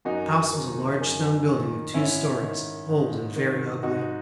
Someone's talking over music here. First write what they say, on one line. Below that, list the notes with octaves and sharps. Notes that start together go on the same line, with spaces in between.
The house was a large stone building of two stories, old and very ugly.
F#2 D#4 F#4
D#3
F#2
D#3
G#2 C#4 E4
D#3
G#2
D#3
G#2 D#4 F#4